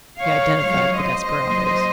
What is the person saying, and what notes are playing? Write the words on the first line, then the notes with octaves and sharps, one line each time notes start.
He identified the desperadoes.
C#5 F5
F#2 F3 G#3 C#5 F5
C5 D#5
A#2 F#3 A#3